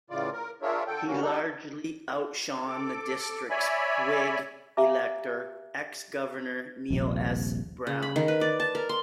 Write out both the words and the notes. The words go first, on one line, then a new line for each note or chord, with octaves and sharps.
He largely outshone the district's Whig elector, ex-Governor Neill S. Brown.
A2 C#3 E3 F4 D5
A#4
D4 F4 G#4 A#4 C#5 E5
D3 A4 G5
G3 A#3 C#4 F#4
G3 D4 D#4 A4
A4 D6
C#5 D5 E5 G#5 B5
G4 E5 F5 G#5 A#5 D6
D#1 A#1 C3
C#3
B5
D#3
B4
D5
A5
A#4
C6